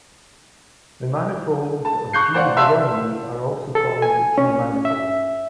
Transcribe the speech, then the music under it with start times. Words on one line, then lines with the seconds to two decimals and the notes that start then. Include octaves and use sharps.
The manifolds of G holonomy are also called G-manifolds.
1.85 A5
2.13 C#6 F#6 G6 C7
2.34 C5 D5 F5 F#5
2.57 E5 F5 A5 C6 E6
3.75 A4
4.02 G#5
4.38 C#4
4.85 E5